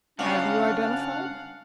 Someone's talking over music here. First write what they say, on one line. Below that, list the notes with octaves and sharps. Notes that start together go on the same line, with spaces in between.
'HAVE you identified?'
G2 C#3 D4 C#5 F5 F#5